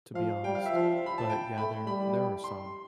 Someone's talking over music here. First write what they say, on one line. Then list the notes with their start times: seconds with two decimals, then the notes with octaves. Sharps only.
to be honest. But, yeah, there there are some.
0.15 F3 F5
0.44 G3 G5
0.55 F5
0.66 E5
0.72 F3 F5
1.06 B5
1.18 A5
1.30 G5
1.58 A3 B5
1.87 G3 B5
2.44 C6